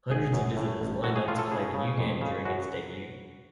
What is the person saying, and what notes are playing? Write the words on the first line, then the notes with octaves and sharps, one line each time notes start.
Hundreds of visitors lined up to play the new game during its debut.
G#1 G#4
F#2
A2
A1
A2 F#4
G#4
A2 F4
A4
C#3 G#4
C#3
F2
C#3
F#2 F#4